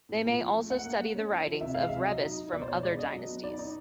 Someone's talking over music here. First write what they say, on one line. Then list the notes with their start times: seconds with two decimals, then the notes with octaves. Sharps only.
They may also study the writings of Rebbes from other dynasties.
0.09 A2
0.25 A#2
0.39 F3
0.55 A3
0.70 A#3 F#5
0.85 A#3
1.00 A#3
1.15 C#4
1.30 E4
1.46 F3
1.61 C3 E5
1.74 G#3 F5
1.89 E5
1.91 C3
2.07 F#3 D#5
2.22 D#4
2.38 D#4
2.52 B2 D5
2.62 C5
2.68 B2 C#5
2.83 G#3 D5
2.98 D4 D#5
3.13 F#3
3.29 B3
3.44 D#4 D5
3.59 D#4